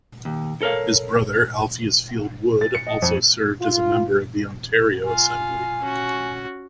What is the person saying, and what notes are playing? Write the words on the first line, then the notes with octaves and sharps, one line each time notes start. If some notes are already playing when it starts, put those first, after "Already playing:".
His brother Alpheus Field Wood also served as a member of the Ontario assembly.
D#2
A4 A#4 C#5 F5
A6
C#7
D#5
F2
F4
F4 F5 G#5
C#4 F#4